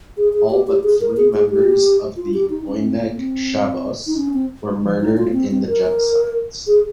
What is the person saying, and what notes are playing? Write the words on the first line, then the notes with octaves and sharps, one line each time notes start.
All but three members of the Oyneg Shabbos were murdered in the genocides.
G#4
G#4
G4
G4
G#4
A#4
G#4
G#4
G4
F4
G4
D#4
C#4
C4
A#3
C4
D#4
C#4
C4
G#3
F3
D#4
F4
A#3
C4
C4
A#4
G#4